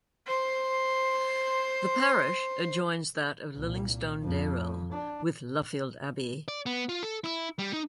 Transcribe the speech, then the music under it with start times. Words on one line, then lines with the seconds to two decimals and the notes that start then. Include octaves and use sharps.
The parish adjoins that of Lillingstone Dayrell with Luffield Abbey.
0.26 C5 C6
3.55 C2 A#2
4.23 F2
4.92 D4
6.48 D5
6.66 B3
6.89 F4
7.03 A4
7.24 E4
7.59 G3
7.73 D#4